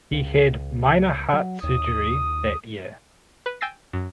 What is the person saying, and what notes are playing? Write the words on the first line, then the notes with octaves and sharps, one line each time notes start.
He had minor heart surgery that year.
C#2
F#3
D#2 D#6
B4
G5 G#5 E6 A6 A#6 C7
F#2